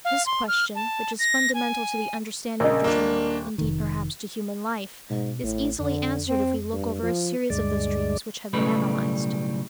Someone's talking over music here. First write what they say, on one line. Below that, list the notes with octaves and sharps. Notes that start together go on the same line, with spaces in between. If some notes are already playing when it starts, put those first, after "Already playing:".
This question, which is fundamental to the understanding of the dream, indeed perhaps to human life, is easily answered if we look over a series of those dreams which have been analyzed.
F5
C6
F6
A5
A#6
G#5
A#1 C#3 A#4 D#5
D#1 A#3 D4
F1 D#3
G#2 B2
A1 A2
F2 D3
C4
G2
F3
D2 G2 G#3 D5
B1 A2 C#3 G3 A3 B4